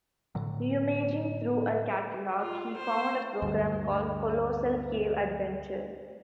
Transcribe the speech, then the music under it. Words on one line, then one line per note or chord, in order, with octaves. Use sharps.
Rummaging through a catalog, he found a program called "Colossal Cave Adventure".
A2 D3 F#3
F4
C5
D2 G2